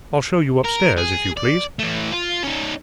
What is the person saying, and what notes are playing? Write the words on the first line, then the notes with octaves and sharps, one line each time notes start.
I'll show you upstairs, if you please.'
A#4
G#4
D5
E3 A3
F4
C#4 D#4